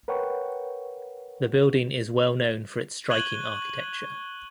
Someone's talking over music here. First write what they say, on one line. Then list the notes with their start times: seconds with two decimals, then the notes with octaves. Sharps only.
The building is well known for its striking architecture.
0.08 A#4 B4 C#5 F#5 G5 C#6
3.09 C#6 F#6 G#6 D#7 F#7 G7